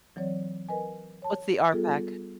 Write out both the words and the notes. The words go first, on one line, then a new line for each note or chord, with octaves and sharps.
What's the RPAC?
E3 F#3 C4 C#5 D5
A#4 B4 D#5 G#5
C#5 A5
G3 B3 F4 G#4 A4